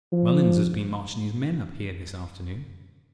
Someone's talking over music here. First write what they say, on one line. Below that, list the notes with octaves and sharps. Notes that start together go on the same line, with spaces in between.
Mullins has been marching his men up here this afternoon.
F3